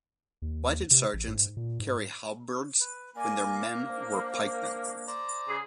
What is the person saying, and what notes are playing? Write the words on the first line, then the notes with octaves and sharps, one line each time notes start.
Why did sergeants carry halberds when their men were pikemen?
D#2
C3
A1
G#2
A#2
G#2
B4
A#3 D5 G#5
D4 C5
C5 D5 A#5
C#3 G#4